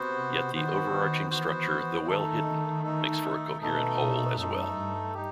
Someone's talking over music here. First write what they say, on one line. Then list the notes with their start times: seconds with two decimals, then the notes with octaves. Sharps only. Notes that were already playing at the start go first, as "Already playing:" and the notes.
Yet the overarching structure, though well hidden, makes for a coherent whole as well.
Already playing: C3 B3 F#4 C5
0.54 D#3 B3 F#4 C5
1.30 E3 B3 F#4 C5
2.07 D#3 A3 D#4 A4
2.84 A3 D#4 A4
3.61 B2 A3 D#4 A4
4.37 F#2 A3 D#4 A4
4.76 G2
5.14 D#4 G4